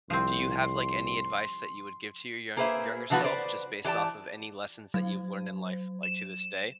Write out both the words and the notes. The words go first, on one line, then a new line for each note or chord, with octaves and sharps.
do you have, like, any advice that you would give to your young younger self, just based off of any lessons that you've learned in life, like, to this day?
C2 F3 C4 C6
A#3 G#4 B4 C5 E5
D3 E3 F3 B3 F#4 B4
B4 C5 D5
E3 G4 D5 A5
F#3
E7